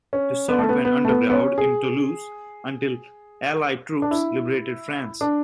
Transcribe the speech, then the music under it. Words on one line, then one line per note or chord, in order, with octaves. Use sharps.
Dissard went underground in Toulouse until Allied troops liberated France.
C#4
B3
A3
B3
B3
A3
B3
B3
C#4
G#4
D4
E4
D4